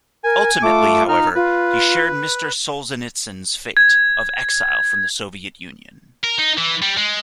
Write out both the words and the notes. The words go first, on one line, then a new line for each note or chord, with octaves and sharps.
Ultimately, however, he shared Mr. Solzhenitsyn's fate of exile from the Soviet Union.
A#4 G#5
A3 F4 D6
D#4 F6
F4 B4
G#6
A#4
D#4
E3
G3
G#3